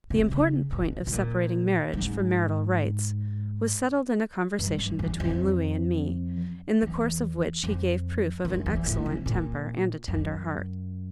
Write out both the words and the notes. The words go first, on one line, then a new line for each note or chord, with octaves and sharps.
The important point of separating marriage from marital rights was settled in a conversation between Louis and me, in the course of which he gave proof of an excellent temper and a tender heart.
C3
C#3
B2
B2
A#2
G#2
G2
G2
E2
F2
E2
F2
F#2
E2
A2
C3
A#2
F#2